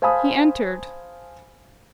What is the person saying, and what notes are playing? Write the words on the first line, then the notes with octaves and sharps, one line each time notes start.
He entered.
C5 F5 G#5 A5 B5 D#6